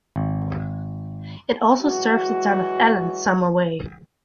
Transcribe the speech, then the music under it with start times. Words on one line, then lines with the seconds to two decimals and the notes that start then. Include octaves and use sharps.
It also serves the town of Elland some away.
0.16 G#1
1.82 E3 F#3 G#3 F#4